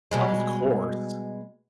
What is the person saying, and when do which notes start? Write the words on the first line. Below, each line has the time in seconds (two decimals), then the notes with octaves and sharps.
Of course.
0.11 B2 G3 G#3